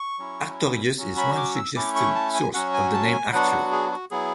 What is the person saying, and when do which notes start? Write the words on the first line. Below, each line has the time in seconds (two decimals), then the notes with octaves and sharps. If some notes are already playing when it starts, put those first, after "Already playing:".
Artorius is one suggested source of the name Arthur.
Already playing: C#6
0.19 F#3 C#4 E4
0.97 F#3 C#4 F#4
1.17 B5
1.37 D6
1.56 E6
1.76 A3 C#4 E4 D6
1.95 C#6
2.15 A5
2.34 G#5
2.54 F#3 C#4 F#4 F#5
2.74 G#5
2.94 A5
3.13 G#5
3.33 F#3 B3 D4 F#4 F#5
3.52 F#5
3.72 G#4
3.92 F#4
4.11 F#3 B3 E4 G#4